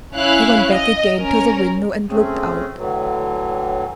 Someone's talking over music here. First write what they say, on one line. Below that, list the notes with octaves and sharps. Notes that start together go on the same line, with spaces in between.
He went back again to the window and looked out.
C#4 E4 F5 F#6
D#5
C#4 A#4
A3 C4 C#4 G#4
A2 D3 E3 F#3